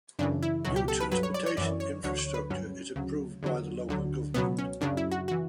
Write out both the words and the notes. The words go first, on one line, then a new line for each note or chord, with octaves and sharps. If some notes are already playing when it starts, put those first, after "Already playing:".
New transportation infrastructure is approved by the local government.
F#2 C#3 E3 D4
E4
C#2 B2 F#3 F#4
G4
A4
B4
G2 F#3 B4
C#5
D5
C#5
F#2 E3 D5
C#5
D2 D3 F#3 C#5
C#5
B4
G2 F#3 C#4
D2 C#3 F#3
E2 D3 F#3
D2 D3 F#3
C#2 B2 F#3 B3
C#4
F#2 C#3 F#3 D4
E4
F#4
F#4
E3